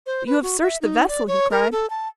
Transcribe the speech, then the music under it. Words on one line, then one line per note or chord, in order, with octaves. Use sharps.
"But you have searched the vessel?" he cried.
C5
B4
F#4
E5
D#4
D5
C#5
A#4
A4
A5